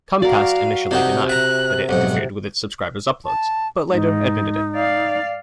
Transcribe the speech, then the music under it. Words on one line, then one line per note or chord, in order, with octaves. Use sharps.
Comcast initially denied that it interfered with its subscribers' uploads, but later admitted it.
F#4 A#4 D5 F5
C3 D4 D#4 F#5
E5 A#5 F#6
B1 F2 G#2 F#5
A5
G#2 D#4
D5 F5